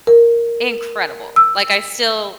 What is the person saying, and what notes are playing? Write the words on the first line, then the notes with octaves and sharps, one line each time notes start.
incredible, like, I still
A#4
E6